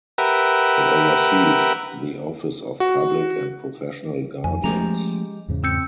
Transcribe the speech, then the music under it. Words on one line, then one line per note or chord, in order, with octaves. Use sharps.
It oversees the Office of Public and Professional Guardians.
G4 A#4 B4 E5 F#5
F#4
F2 G#5
F3 G#3 A3 C#4 G4 A#5
E2 G#2 C#3
C4 E6 G6 C#7